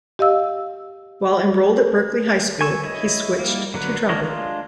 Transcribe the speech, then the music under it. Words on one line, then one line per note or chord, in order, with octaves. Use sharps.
While enrolled at Berkeley High School, he switched to trumpet.
G4 D#5 F5 E6
G#5 C#6 E6
E4 C#5 D#5
G3 A#3 E4
D3 F#3 B3 B4
A#3 D4 A#4 C#5 D#5
G#3 D4 F4